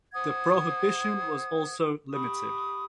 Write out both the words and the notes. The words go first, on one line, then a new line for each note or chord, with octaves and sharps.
The prohibition was also limited.
C5 F#5 D#6 G#6
G4 B5 C#6 D#6